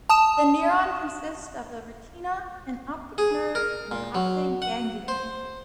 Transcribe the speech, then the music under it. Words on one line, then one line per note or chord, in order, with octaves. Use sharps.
The neuron consists of a retina, an optic nerve, and an optic ganglion.
A5 D#6 E7
G#4
A#4
A#2
F#3
F#5
C5